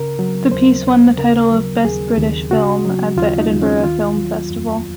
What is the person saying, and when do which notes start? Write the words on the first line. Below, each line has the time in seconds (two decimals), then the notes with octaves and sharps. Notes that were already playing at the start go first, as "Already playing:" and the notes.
The piece won the title of 'Best British Film' at the Edinburgh Film Festival.
Already playing: C#3 A#4
0.19 F#3
0.52 D#2 C5
0.85 D#2
1.18 C#3 A#4
1.52 F#3
1.85 D#2 G#4
2.18 D#2
2.51 C#3 F#4
2.85 F#3
3.17 D#2 F4
3.39 D#4
3.51 D#2
3.62 C#4
3.84 D#3 F4
4.17 F#3
4.50 F2